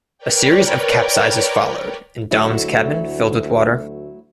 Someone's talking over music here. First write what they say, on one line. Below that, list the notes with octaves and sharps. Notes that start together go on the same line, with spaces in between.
A series of capsizes followed, and Dom's cabin filled with water.
A#4 B4 C#5 D5 G5
D2 F#3 A3 E4